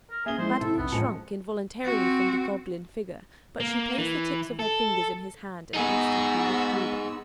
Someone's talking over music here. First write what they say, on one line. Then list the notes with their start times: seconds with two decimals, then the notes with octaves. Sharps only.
Madeline shrunk involuntarily from the goblin figure, but she placed the tips of her fingers in his hand and instantly withdrew them.
0.11 A#4
0.26 A#3 C#4 G#4 E5 G7
0.38 F3 G#3 E4 C5
0.61 C3 E4 A4
0.77 B1 F2 B3
0.92 A2 F3 G#3 C4 A5 C#7
1.85 C4 F#4
3.60 A#3
3.98 E3
4.59 A4
5.74 B3 D#4 F#4 G#4 E6